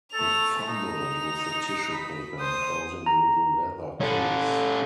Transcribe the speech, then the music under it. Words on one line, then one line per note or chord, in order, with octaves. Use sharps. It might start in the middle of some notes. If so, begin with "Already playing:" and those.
He fumbled with the tissue paper enclosing a little leather case.
A3 A4 F7
D#4 F7
B5
C5 D#6
A#5
C#4 A4